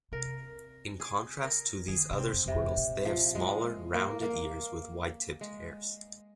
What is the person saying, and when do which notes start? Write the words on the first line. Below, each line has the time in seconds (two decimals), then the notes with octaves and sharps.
In contrast to these other squirrels, they have smaller rounded ears with white-tipped hairs.
0.12 C3 A#4
1.00 G#4
1.44 A#4
1.88 D#3 G#4
2.10 C3
2.18 C4
2.33 F2
2.46 F2 C3
2.55 G#2
2.77 A#2
3.05 F3
3.35 G#3
3.94 A#3
4.23 A#3
5.41 G#3